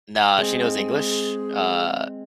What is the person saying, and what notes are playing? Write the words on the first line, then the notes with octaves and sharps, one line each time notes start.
nah, she knows English. Uh,
G#3 C4 G#4